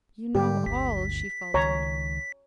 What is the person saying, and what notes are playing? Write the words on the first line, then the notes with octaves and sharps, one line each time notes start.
"You know all!" she faltered.
G#2 D3 G3 G4
G1 D2 B6
C#2 D#3 C#5 A#5